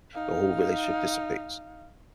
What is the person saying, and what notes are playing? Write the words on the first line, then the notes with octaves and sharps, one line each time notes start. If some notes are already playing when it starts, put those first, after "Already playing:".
the whole relationship dissipates.
D#4 F5